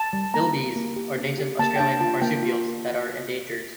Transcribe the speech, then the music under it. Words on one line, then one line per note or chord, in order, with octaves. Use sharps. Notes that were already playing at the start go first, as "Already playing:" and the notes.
Bilbies are native Australian marsupials that are endangered.
Already playing: A5
G3
A#3 A#5
G4
A#3
G4
D4
G4
A#3 A5
G5
D4 A5
F4 A5
A#3 G5
F4